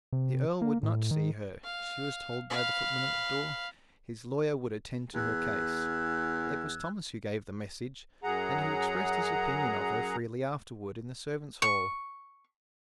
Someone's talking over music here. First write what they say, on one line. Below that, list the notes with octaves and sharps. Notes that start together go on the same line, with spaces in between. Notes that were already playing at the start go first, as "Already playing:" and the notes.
The Earl would not see her, she was told by the footman at the door; his lawyer would attend to her case. It was Thomas who gave the message, and who expressed his opinion of her freely afterward, in the servants' hall.
C3
A#3
A2
D#3
F5
F5 B5
E2 E6 F#6 G#6
F#2 F#3 G#4 F#5 A#5
C#6